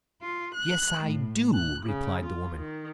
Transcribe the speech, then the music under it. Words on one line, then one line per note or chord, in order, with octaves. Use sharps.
"Yes I do," replied the woman.
F4
F#6
A2
F#6
C#3
F4
D#3